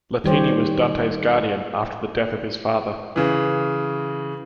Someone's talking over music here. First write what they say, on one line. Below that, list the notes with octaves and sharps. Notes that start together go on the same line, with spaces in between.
Latini was Dante’s guardian after the death of his father.
D#3 G3 G4 C5 C#5
C#3 E3